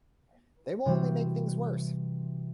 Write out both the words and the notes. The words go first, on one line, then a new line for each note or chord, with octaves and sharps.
They will only make things worse.
C3 E3 G3 C4 F#4